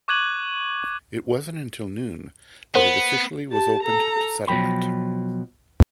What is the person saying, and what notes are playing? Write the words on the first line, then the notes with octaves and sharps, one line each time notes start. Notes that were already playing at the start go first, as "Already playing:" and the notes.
It wasn't until noon that it officially was opened to settlement.
C#6 D6 F#6 G#6 D#7 F#7
B3 A#4 C5 F#5
G4 A5
A4 A#5
B2 F3 F#3 G5 B5